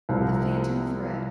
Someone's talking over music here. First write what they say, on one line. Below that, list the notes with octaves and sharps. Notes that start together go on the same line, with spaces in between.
The Phantom Thread.
C2 C3 F3